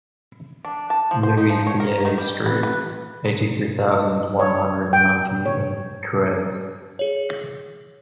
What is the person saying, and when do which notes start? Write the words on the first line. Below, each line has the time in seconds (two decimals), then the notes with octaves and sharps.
Louis Fille street, eighty-three thousand one hundred and ninety in Cuers.
0.65 D4
0.90 A5
1.11 F3
1.23 C5
1.37 D#4
1.50 F3
1.67 C#5
1.80 A#4
2.05 D#3
2.18 G3
2.46 B4
2.63 B4
3.88 D#5
4.39 C#5
4.93 G5
5.46 C#5
6.99 G#4 C#5